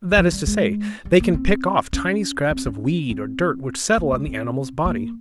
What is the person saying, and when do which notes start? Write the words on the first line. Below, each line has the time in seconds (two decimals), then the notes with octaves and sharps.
That is to say, they can pick off tiny scraps of weed or dirt which settle on the animal's body.
0.11 G3
0.17 F3
0.32 G3
0.47 G#3
1.05 G3
1.20 A#3
1.34 C4
1.93 C#4
2.51 C4
2.66 C#4
3.10 C4
3.98 A#3
4.12 G#3
4.27 C4
4.85 A#3